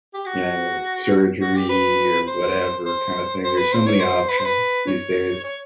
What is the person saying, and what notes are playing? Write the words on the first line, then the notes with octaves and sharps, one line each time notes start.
you know, surgery or whatever kind of thing, there's so many options these days,
G4
F#4
F#4
G4
B4
C5
C5
C5
B4
C5
C#5
C5
B4
C5
B4
C#5
C#5